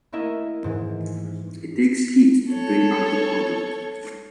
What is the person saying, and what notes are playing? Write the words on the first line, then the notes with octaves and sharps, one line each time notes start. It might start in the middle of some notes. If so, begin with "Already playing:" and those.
It takes heat to bring out the odor.
A3 A#3 E4 D#5 E5
G#2 E3
A4 C#5